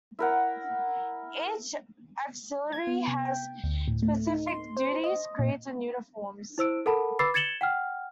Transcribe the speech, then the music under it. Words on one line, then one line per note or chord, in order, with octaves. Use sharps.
Each auxiliary has specific duties, creeds and uniforms.
E4 A#4 F#5
G#6
B3
C3
G5
D2
A2
A3
D#4
C6
C5
D#5
A#2
E4 C5 E6 D7
A4 A#4 F#5 A5 B5
B4 B5 D6 E6 A6 C7
G#6 A6 C#7 E7 F#7 G7
F#5 G5 F6